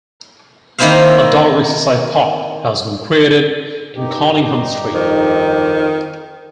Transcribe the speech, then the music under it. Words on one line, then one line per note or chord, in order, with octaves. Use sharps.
A dog exercise park has been created in Conyngham Street.
D#3 A#3 C4 E4 C5 F5
G2 D#4 G4
F2 D#3